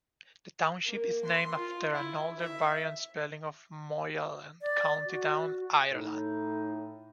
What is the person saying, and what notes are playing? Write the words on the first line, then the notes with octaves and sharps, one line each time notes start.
The township is named after an older variant spelling of Moyallen, County Down, Ireland.
A#3
C6
F4
E4
E5
D5
F#4
A2 D#4